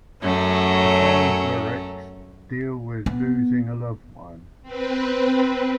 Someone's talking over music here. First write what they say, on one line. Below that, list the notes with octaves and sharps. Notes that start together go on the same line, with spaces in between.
The song's lyrics deal with losing a loved one.
F#2 F#3 A3 C#4
B3
C4 B4